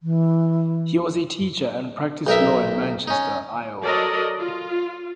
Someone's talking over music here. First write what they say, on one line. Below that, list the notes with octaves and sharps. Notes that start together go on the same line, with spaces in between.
He was a teacher and practiced law in Manchester, Iowa.
E3
B1 D#4 A#4 E5
C#4 D#4
F#3 F#4 A4 A#4 D5 D#5
F4